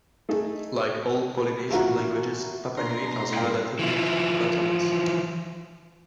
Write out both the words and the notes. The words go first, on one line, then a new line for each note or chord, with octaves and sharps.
Like all Polynesian languages, Rapa Nui has relatively few consonants.
A3 D#4 G#4 A4
A1 D#3 F4 F#4 A#5
B2 D4 A#5 C6
G2 F5 G5
E3 F3 E4